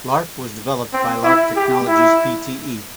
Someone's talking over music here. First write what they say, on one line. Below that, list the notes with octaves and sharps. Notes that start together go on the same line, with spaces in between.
Lark was developed by Lark Technologies Pte.
C4
E4
G4
E4